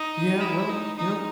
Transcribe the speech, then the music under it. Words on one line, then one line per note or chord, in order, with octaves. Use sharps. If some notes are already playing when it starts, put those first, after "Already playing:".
Yeah. Well, you know,
Already playing: D#4
E4
D#4
D#4